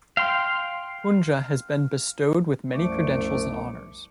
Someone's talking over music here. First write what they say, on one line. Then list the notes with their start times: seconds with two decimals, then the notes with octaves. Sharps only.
Punja has been bestowed with many credentials and honors.
0.17 F5 G5 C6
2.74 C2 F#2 F3 A3 C#6 D6